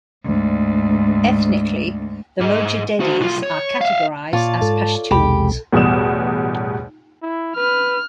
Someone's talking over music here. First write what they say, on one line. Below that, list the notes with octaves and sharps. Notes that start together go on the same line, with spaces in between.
Ethnically, the Mojaddedis are categorized as Pashtuns.
D2 G#2
G#2
F#4 C5
B1 F4
C#5
E5 F5
A#2 F4 C#5 D5 A5
G#2 A4
B1 E2 C3 G#3 G4 B5
A1 E2 B2 G3 D#6 E7
E4
B4 F6